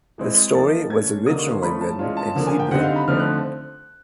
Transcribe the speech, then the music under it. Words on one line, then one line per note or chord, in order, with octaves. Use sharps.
The story was originally written in Hebrew.
E3 G#3 C4 E4
F3 A#3 D#4 A6
E3 A3 C#4 G#6
D3 G3 A#3 D#4 D#6
C#6
C6
F3 A3 C#4 B5
A5
E3 G#3 C#4 F4
A5
D3 F3 A#3
G#5
G5
D3 G3 C4 D#4 F#5
F5
B5
D3 F3 A3 C4 D#4 F6
F#6